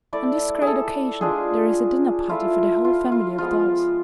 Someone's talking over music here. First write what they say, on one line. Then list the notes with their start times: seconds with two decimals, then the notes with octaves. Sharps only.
On this great occasion there is a dinner-party for the whole family of dolls.
0.13 A3 E4 D5
0.62 G#4
0.67 A4
1.21 G#3 D4 F4 G#4
2.29 A3 E4 F4
2.85 F4
3.12 F4
3.38 F3 G#3 B3 F4